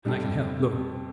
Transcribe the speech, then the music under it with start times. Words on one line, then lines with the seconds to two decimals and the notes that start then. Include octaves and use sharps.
And I can help--look!
0.05 F2 C3 G3